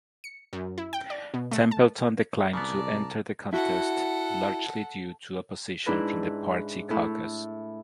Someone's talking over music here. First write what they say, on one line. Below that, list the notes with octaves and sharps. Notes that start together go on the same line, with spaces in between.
Templeton declined to enter the contest, largely due to opposition from the party caucus.
C#7
F#2
E4
G5
D5
B2
A3
A5
C2 C#3 B3 D5 A5 A#5
E4 F#4 A4 F#5
G#2 D4 E4 B4 F#6
A2 E4